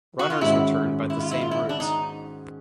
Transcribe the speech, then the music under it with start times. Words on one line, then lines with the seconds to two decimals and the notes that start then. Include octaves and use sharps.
Runners return by the same route.
0.19 F#4
0.30 F4
0.41 G#2 D#3 G#3 C#4 E4 F#4
1.10 E4
1.20 F4
1.31 E4
1.41 F4
1.51 E4
1.69 D4
1.80 D#4